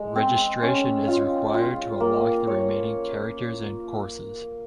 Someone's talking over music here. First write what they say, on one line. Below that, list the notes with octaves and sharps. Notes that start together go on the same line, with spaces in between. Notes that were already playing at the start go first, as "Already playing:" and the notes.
Registration is required to unlock the remaining characters and courses.
Already playing: G#3
C4
C#4
F4
F4
A#3
C#5